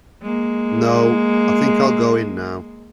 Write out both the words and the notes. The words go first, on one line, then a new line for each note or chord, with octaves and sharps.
No, I think I'll go in now.
G#3 A#3